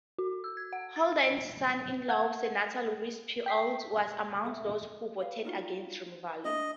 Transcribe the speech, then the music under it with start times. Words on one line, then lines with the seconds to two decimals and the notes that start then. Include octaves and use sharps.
Holden's son-in-law, Senator Lewis P. Olds, was among those who voted against removal.
0.18 F#4
0.44 E6
0.57 G#6
0.73 F#5
0.96 A6
1.23 D#5
2.09 F#5 G#6
3.46 G5 B6 C7
4.45 A4 E5
5.20 G4 B4 F5
5.45 D#4 F4 F#4
6.45 D4 D#5 E5